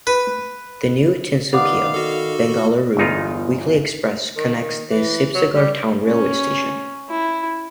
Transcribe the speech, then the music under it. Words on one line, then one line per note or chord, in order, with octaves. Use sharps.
The New Tinsukia - Bengaluru Weekly Express connects the Sibsagar Town railway station.
B4
D#3 B3 D5 F5
F#4 A4
G1 E2 D#4 F4
D#3
E3
F#3
G3
C#4
E4